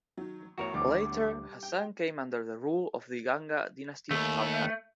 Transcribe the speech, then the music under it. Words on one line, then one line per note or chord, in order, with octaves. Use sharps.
Later Hassan came under the rule of the Ganga Dynasty of Talkad.
D#3 F#3
A1 E2 A2 F#4 A#4 C#5
D2 G3 D6
G5
D#2 A3